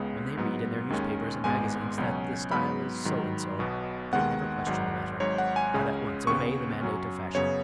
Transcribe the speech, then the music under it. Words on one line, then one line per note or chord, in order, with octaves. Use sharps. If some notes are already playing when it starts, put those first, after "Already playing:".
When they read in their newspapers and magazines that the style is so-and-so, they never question the matter, but at once obey the mandate of fashion.
Already playing: C#2 C#3 G#3 B3
G#2 F#3 B3
D#2 D#3 G#3 C#4
G#1 G#2 G#3 B3 G#5
C#2 B2 F#3 C#4
G#2 F#3 B3 B5
G#2 D#3 F#3
B1 B2 B3
D#2 D#3 G#3 B3 F#5
G#1 G#2 F#3
G#1 G#2 F#3 C#5
F#5
G#5
C#2 C#3 G#3 C#4
D#2 C#3 B3 C#6
F#2 F#3 C#4
F#2 C#3 B3 C#5